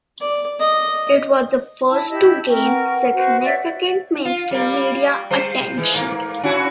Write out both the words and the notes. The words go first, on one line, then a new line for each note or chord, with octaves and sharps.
It was the first to gain significant mainstream media attention.
D5
D#5
E4 A5
E4 G4 D#5
C4 A#4 G5 C#6
B4 F#5
F#4 C5
C#5 D5 E5
F4
G3 A#3
G3 C5
E3 G#3
G#2 A#3
C#4 E4 F#4